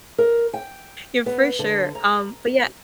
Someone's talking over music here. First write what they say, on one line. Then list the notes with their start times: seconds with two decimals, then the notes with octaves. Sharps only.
Yeah, for sure, um, but, yeah,
0.18 A#4
0.53 G5
1.26 B3
1.59 D3
1.95 A#5